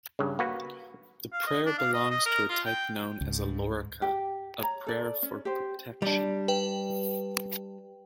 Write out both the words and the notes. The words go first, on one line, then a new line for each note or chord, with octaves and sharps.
The prayer belongs to a type known as a "lorica", a prayer for protection.
G2 C#3
A#3 F#4 B4
F5
D#5
D4
F5
D#5
D#5
A#4
F4
G5
C#2 G#2
G4
C#5 A#5
A4 D5
C#4
G4 C5
G3 D4
B4 G5